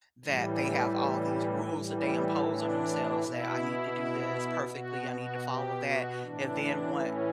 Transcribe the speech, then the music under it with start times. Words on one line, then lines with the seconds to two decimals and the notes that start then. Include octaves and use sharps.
that they have all these rules that they impose on themselves that "I need to do this perfectly, I need to follow that," and then one
0.24 A2 E3 G3
1.74 A2 E3 G3
2.49 D4
3.23 B2 E4
4.73 B2 F#4
5.11 F#4
5.48 G4
5.85 F#4
6.23 A2 E3 D4
6.98 C#4